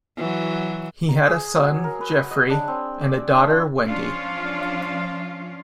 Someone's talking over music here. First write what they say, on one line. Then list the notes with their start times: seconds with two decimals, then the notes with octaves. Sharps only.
He had a son, Jeffery and a daughter, Wendy.
0.17 E3 F#3 F#4
1.09 A#5
1.27 G#4
1.55 F#3
1.84 A#4
2.01 B4
2.31 D#5
2.50 D4
2.68 C4
3.01 D5
3.32 D4
3.50 F4
3.86 F3 C#4 D4 F4 F5